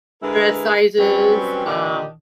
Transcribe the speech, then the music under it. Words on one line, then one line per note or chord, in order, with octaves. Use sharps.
dress sizes, um,
D3 G#3 E4 A#4 B4
F#3 G3 C4 C#4 B4
A#2 D3 E3 D4 G4 D#5